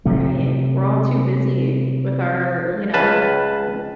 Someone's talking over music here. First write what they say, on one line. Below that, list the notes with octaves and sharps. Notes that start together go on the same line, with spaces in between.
Right. We're all too busy with our, you know,
C3 F#3 A3
C#2 B4 F5 A5